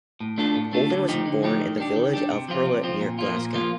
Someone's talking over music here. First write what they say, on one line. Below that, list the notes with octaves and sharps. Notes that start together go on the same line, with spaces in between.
Holden was born in the village of Hurlet near Glasgow.
A2
A3 D4 F4 A4
A2
A3 D4 F4 A4
D3
F3 A3 D#4 G4
D3
F3 A3 D#4 G4
D#3
G3 D4 G4
D#3
G3 D4 G4
C3
F3 C4 F4
C3
F3 C4 F4
A#2
F3 A#3 F4
A#2
F3 A#3 F4